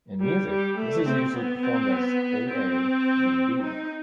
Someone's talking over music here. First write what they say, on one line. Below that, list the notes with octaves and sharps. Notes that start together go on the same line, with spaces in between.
In music this is usually performed as A-A-B-B.
G3
G3
A3
C4
B3
C4
B3
C4
D#4